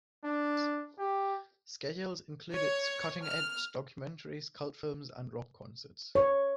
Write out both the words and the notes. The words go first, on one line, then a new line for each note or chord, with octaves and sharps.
Schedules included cutting-edge documentaries, cult films, and rock concerts.
D4
G4
C#5
F6
C#5